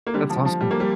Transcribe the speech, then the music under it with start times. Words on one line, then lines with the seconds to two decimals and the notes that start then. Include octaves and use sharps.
That's awesome.
0.07 A#3
0.14 D3 G3
0.30 F3
0.45 F3
0.61 G3
0.71 A#3
0.80 G3